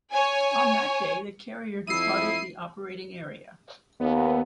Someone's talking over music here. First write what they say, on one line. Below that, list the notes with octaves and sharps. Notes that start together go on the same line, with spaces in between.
On that day, the carrier departed the operating area.
C#5 G#5
F2 E4 D#6 E6 C7 D#7
D#2 B3